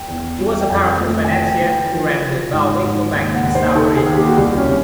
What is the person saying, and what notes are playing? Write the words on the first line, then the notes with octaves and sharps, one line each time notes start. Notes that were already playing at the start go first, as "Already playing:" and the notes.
He was a powerful financier who ran the Bohlwinkel bank in Sao Rico.
Already playing: G5
E2
G3
G5
F2 G#5
A3
G#5
E3 G5
G5
E3
G5
F3
F3
G#2
G#2
D#2
F#5
D#2
C5
D#3 A4
G#4
D#2
G4
F#4
C2 G4
C#4
C3